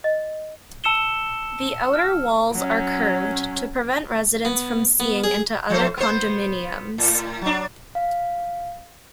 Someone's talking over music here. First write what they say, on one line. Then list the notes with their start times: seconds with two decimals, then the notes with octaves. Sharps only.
The outer walls are curved to prevent residents from seeing into other condominiums.
0.04 D#5
0.84 A5 E6 C#7 E7 G7
1.94 F6
2.52 F#3 C#4
4.45 B3
5.00 B3
5.24 G#4
5.70 F3 A3 C5
5.97 B3 C5
6.98 A2
7.41 F#3 D4
7.95 F5